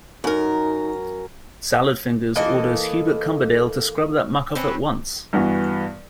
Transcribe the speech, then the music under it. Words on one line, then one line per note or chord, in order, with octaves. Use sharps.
Salad Fingers orders Hubert Cumberdale to scrub that muck off at once!
F#2 D#4 A#4
E3 A#3 A4 D#5
C4 C#4 B4
G2 E3 B3 F#4